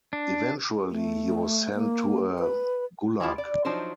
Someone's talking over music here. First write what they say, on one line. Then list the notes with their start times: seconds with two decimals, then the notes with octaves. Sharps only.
Eventually he was sent to a gulag.
0.13 D4
0.91 A3
1.74 A#3
2.39 B4
3.20 E3 F3 G#3 E4 F4
3.38 D5
3.65 F3 F#3 D4 D#4 C5